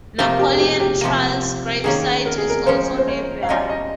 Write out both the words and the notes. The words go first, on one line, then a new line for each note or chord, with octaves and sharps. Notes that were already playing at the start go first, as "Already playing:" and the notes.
Napoleon Trails Gravesite is also nearby.
C3 F3 A#3 F4 A#4
G4
G#4
G4
G4
C3 F3 A#3
D#3 A#3 C#4 G#4
A#4
G#4
A#4
F3 G#3 C#4 C5
C5
C#5
F5
G3 C#4 F4 A#4 D#5
D#5